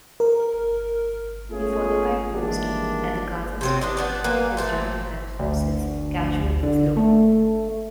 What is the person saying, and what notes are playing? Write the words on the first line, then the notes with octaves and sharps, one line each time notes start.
He fortified posts at the Gaza Strip and kept Israel Defense Forces casualties low.
A#4
A3 B3 C#4 F4 G#4
D#3 E3 G3 G#3 A#3 D4
C3 F#3 C4
D4 D5 D#5
F3 B3 D4
A#3 B4 F5 G#5
A#2 A3 C4
D2
D3
A3